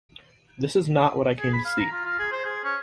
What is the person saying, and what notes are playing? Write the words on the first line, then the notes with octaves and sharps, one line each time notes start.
This is not what I came to see.
G#4
B5
F5
A#5
F4
F4
G#4
C5
G#4
C#4